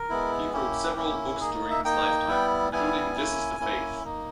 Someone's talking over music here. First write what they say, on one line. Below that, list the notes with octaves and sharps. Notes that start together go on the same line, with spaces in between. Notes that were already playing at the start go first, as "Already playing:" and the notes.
He wrote several books during his lifetime, including "This is The Faith".
Already playing: A#4
G#3 B3 E4
A#3 C#4 E4 G4
A#3 C#4 E4
A#3 D#4 G#4
E5
A#3 D#4 G5
G3 B3 E4
G3 B3 E4 G#5
A#3 C#4 E4
A#3 C#4 E4
A#3 D#4